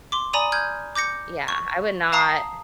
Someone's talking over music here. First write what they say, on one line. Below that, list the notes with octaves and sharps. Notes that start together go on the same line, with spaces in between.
Yeah, I would not
C6 D6
D5 G#5 A#5 B5 D#6 D#7
F6 G6 G#6
D6 G6 A#6 C#7
C#6
F5 A5 A#5 D#6 C7